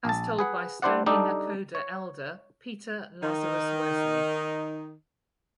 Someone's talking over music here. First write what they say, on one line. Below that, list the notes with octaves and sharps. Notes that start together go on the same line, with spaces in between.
As told by Stoney Nakoda Elder Peter Lazarus Wesley.
A#1 A5
G#4 B4 F#5
G3 D4 E4 C5 D5 F#5
G3 D4 D#4 G4 A4
C#5
D#3 D#4